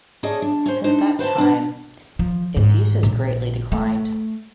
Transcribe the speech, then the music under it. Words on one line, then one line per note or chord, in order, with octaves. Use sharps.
Since that time, its use has greatly declined.
C#4 G#4 A4 D5 D#5
D4
C#4 C5
D4 D#4 C5
B4 C5 G5 A5
B3 D4
F3
G#2
A#1
A3